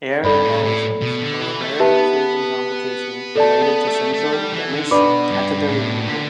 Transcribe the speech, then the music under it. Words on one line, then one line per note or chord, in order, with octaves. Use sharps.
Air embolisms are a very infrequent complication related to central venous catheter removal.
G2 A4 D5 B5
A2
A2
B2
D3
E3
A3
B3 G4 B4 E5 A5
A3 A4 D5 A5
B3
A3
A3
G3
E3
D3
B2 D4 B4 D5 B5 D6
G2
A2
D3